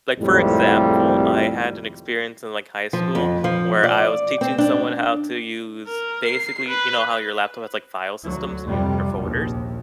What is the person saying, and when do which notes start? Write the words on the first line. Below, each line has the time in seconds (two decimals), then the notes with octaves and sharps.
like, for example, I had an experience in, like, high school where I was teaching someone how to use, basically you know how your laptop has like file systems and you your folders,
0.19 G#1 F2 A2 C3 D#3 G3
2.93 F3
3.15 F2
3.44 F3
3.83 D5
4.41 C4
4.58 D4
5.87 A#4
6.26 C7
6.68 B4
8.26 D2 F#3
8.64 F2 C3 G3
9.16 A#1 D#2